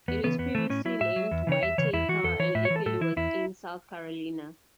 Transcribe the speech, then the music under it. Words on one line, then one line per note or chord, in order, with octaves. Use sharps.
It was previously named Whitaker and legally was in South Carolina.
E2 B3
C#3 E3 B3
E2 B3
C#3 E3 A3
A2 C#4
F#3 E4
A2 E5
F#3
E2
C#3 E3 C#5
E2 E5
C#3 E3 C#5
E2 E4
E3 F#4
E2 A4
E3 C#5
A2 E5
C#5
E3
A4
A2 A4
E3 E4
E2 E4